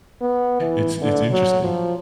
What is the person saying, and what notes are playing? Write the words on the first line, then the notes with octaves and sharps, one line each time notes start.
It's it's interesting.
B3
E3
D3
F#3
F3